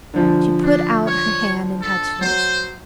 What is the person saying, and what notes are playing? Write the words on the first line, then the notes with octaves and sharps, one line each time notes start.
She put out her hand and touched his.
D3 F3
D4
C#5
A4
F#3 C5